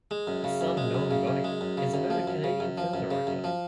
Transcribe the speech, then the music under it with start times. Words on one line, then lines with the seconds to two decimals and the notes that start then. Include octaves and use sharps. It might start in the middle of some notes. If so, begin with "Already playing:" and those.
His son Noam Gonick is a noted Canadian film director.
0.11 G#3
0.27 F#2
0.44 C#3
0.61 F#2
0.77 G#3
0.94 F#2
1.11 C#3
1.27 F#2
1.44 G#3
1.61 F#2
1.77 C#3
1.94 F#2
2.10 F3
2.28 F#2
2.44 C#3
2.60 F#2
2.78 F3
2.94 F#2
3.11 C#3
3.27 F#2
3.44 F3